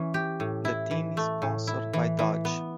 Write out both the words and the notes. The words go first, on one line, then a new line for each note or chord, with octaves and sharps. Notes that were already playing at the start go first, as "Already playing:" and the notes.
The team is sponsored by Dodge.
Already playing: E3 C#4
G4
A2
E4
E3
A3
A2
E4
E3
E3
B3